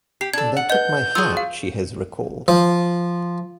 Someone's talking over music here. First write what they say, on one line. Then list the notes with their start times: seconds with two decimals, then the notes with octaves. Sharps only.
"They took my heart", she has recalled.
0.21 G4 C7
0.34 D4 A4 G#6
0.57 F#5
0.70 B4 D#5 G6
1.15 F4 F#4 G#4 E6
1.37 F5
2.48 F3